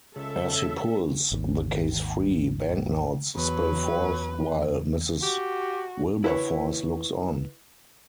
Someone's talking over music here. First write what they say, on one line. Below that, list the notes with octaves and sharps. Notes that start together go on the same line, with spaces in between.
As he pulls the case free, banknotes spill forth while Mrs. Wilberforce looks on.
C#2 C#3 A4 E5
C#2
G#1 D#2
E2 F#3 B4
F#4 G4
E4 B4 C#5